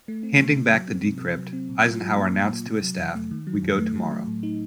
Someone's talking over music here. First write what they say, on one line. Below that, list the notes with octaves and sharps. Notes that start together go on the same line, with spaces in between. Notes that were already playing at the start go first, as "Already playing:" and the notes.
Handing back the decrypt, Eisenhower announced to his staff, We go tomorrow.
A3
C4
C#3
C#3
F#3
C4
C3
C3
F#3
C4
A#2
F4
F#3
A#3
A#2
A#2
C3
F#3
F2
A3
D#3
F#3
F2
A3
F#3
A3
A2
D#4